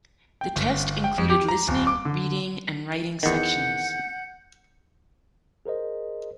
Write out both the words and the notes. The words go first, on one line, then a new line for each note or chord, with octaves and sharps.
The test included listening, reading and writing sections.
G5
G1
G5
F2
G4
A#5
D#1
D6
D3
E2 D#3 F#5 G6
G#4 A#4 C5 D#5